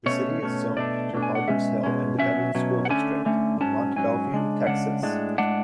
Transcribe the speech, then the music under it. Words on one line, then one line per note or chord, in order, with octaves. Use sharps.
The city is zoned to Barbers Hill Independent School District in Mont Belvieu, Texas.
B2 A3 C#4 C#5
B2 A3 C#4
B2 A3 D4 D5
B2 A3 D4
G#5
F#5
B2 G#3 C#4 E5
B2 G#3 C#4
B2 F#3 C#4 E5
B2 F#3 C#4
F#5
D3 A3 C#4 G#5
D3 A3 C#4
G#2 F#3 C#4 A5
G#2 F#3 C#4 G#5
C#3 G#3 D4
C#3 G#3 D4 F#5
A2 G#3 D4
A2 G#3 D4 F#5